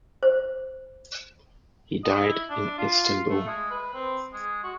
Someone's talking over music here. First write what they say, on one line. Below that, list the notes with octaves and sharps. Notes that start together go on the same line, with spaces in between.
He died in Istanbul.
C5
D#5
E4
D4
F4
A3
G#3
B4
C4
G#3
F#4